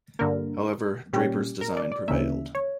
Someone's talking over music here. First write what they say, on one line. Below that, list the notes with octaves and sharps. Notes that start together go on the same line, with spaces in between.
However, Draper's design prevailed.
G2 D3 A#3 A#4
A#2 G3 C#4 G4
A#4
D5
D5
D2 C#3 E3 A#3 E5
C#5